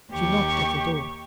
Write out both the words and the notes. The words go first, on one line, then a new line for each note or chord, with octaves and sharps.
She knocked at the door.
D#2 G4 C#6